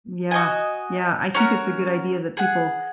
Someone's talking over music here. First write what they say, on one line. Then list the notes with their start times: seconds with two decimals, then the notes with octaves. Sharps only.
Yeah. Yeah, I think it's a good idea that people
0.31 F#4 D#5 G#5
1.34 C#4 F#4 A#4
2.37 G#4 F#5